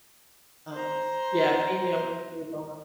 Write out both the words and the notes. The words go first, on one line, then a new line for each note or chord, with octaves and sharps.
um, yeah, being able to move on.
C5 A#5